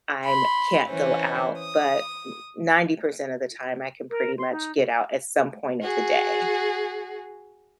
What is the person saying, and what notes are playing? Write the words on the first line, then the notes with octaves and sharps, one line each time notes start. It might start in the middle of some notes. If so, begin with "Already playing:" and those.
I'm can't go out, but n ninety percent of the time I can pretty much get out at some point of the day.
B5 C6
E3 C#4 C5
D#6
A#4
C6
D#4
F#4 G#4